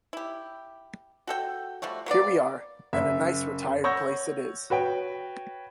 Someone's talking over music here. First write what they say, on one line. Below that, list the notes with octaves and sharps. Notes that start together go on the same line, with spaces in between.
Here we are, and a nice retired place it is.
E4 G4
F#4 A4 G5
F3 G3 A3 F#4
F#3 A#3 B3 D5
F#1 E5
C#5 F#5 C#6 E6 G6 A#6
F#4 B4 C#5 G5